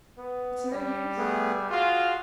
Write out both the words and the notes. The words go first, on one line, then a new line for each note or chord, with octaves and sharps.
It's no use.
B3
G3
A3 B3 G#4
F4 F#4 G#4